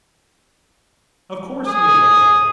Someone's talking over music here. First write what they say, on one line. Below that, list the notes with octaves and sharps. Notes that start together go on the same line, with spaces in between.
Of course, you will love him.
G#5 D#6